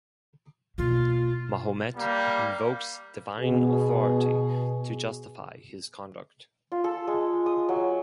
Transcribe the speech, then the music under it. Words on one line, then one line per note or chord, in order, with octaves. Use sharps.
Mahomet invokes divine authority to justify his conduct.
B2 A#3 F4
G3 A#3
B2 G#4
F4
A4
G#3
D#6
F#3